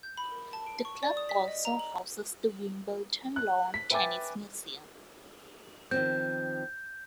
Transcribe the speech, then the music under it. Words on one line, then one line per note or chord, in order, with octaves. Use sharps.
The Club also houses the Wimbledon Lawn Tennis Museum.
G6
B5
A#4
A5
D7
C#6
D5
D#6
B6
D#5
A#5
F#7
F#6
B6
B4 E5 G5 G#5 D6 A6
D#3 F3 C4 G6